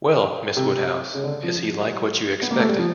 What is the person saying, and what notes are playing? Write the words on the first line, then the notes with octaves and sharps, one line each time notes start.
Well, Miss Woodhouse, is he like what you expected?
C3
C#3
D3
F3
F3
G3
B3
A#3
A3
G3
F3